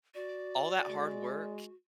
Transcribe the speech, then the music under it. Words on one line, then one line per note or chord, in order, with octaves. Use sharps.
all that hard work,
F#4 D5
G#3